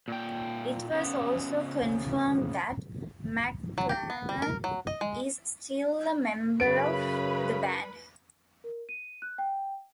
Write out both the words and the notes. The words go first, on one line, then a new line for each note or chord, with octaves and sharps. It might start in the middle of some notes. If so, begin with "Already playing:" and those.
It was also confirmed that McClarnon is still a member of the band.
A#2 G5
C#3 B3
F#3
G4
B3
G3
A#4
F#3
D#5
G#3
F#2 C#3 B4 B5 D7
A#4
D#7
F#6
G5